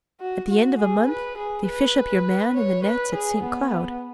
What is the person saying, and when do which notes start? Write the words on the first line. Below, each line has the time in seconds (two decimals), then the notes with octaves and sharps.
At the end of a month they fish up your man in the nets at Saint-Cloud.
0.21 F#4
0.50 F#4
0.80 G#4
1.08 B4
1.38 G#4
1.68 B4
2.56 C#5
2.85 B4
3.15 G#4
3.43 B3